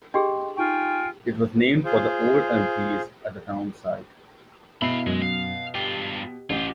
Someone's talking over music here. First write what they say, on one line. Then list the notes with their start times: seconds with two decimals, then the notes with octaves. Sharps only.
It was named for the old elm trees at the town site.
0.14 D4 G4 G#4 D#5 G5 C6
0.57 D#4 F4 G5 G#5 C#6
1.85 F4 G#4 C5
4.82 B2 E4 F5 B5 C7
5.07 F#2 G#3
5.22 F5
5.75 G2 F4 G4
6.50 A1 F4 G4